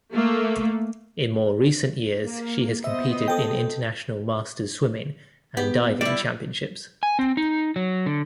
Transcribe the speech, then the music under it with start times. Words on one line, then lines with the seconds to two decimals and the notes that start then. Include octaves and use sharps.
In more recent years she has competed in international masters swimming and diving championships.
0.14 A3 A#3
2.24 A#3
2.84 B3 C5 D#5 E5
3.28 A4 G5
5.57 B3 G4
6.01 G3 E4 D5
7.03 G#5
7.19 C4
7.37 D#4
7.76 F#3
8.06 D3